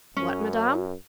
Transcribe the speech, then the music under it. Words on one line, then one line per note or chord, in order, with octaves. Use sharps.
"What, madame?"
F#2 C#4